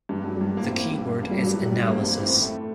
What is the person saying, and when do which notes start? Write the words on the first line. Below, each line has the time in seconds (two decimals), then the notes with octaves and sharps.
The key word is analysis.
0.09 G2
0.25 G2 F#3
0.36 G3
0.41 G2
0.57 A2 A#3
0.68 C4
0.74 A2
0.79 A#3
0.91 G2
1.06 G2
1.23 G2 A#3
1.31 G3
1.38 G2 F#3
1.47 G3
1.54 A2 F#3
1.66 G3
1.71 A2
1.76 G3
1.87 G2 A#3
1.99 G2 C4
2.09 A#3
2.19 A2 C4
2.35 A2
2.42 A3